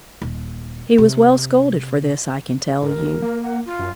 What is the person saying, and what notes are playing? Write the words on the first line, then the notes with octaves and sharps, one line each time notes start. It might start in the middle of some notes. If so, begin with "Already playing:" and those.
He was well scolded for this, I can tell you.
D#1
C3
G#2 A#4
D2
A#3
F#5
F4
F#2